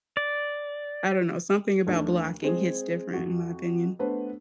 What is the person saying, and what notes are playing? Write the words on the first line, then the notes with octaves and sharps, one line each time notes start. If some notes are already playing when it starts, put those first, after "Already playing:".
I don't know, something about blocking hits different in my opinion.
D5
D#2 A3 D4
G#3 C4 G#4
F2 F#4
A3 B3 D4 B4 C5